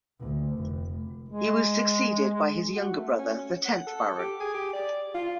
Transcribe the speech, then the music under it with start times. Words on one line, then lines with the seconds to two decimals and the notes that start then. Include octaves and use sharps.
He was succeeded by his younger brother, the tenth Baron.
0.21 D2
0.57 F1
1.29 G#3
2.77 F#4
2.96 A3
3.19 C#4
3.66 F#5
3.87 A4
4.19 G4
4.40 G#4
4.55 G4
4.73 D5
5.15 F4